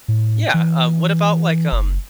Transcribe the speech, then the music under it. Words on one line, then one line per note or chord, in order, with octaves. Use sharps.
Yeah, um, what about, like, um
A2
E3
F#1